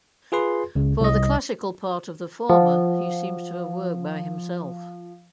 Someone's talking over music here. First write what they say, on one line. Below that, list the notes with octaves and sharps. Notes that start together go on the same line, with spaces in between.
For the classical part of the former he seems to have worked by himself.
F4 G#4 B4 C6
C#2 C#3
C2 D#5
F3 C5 F#5